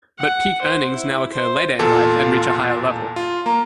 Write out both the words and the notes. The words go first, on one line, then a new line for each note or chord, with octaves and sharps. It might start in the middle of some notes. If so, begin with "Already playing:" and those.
But peak earnings now occur later in life and reach a higher level.
F#5
C5
E4
C5
E2 A#2 F4 A4
F4
A#3 A#5